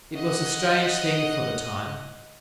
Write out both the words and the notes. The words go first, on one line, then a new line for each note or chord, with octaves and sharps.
It was a strange thing for the time.
D#5 F#5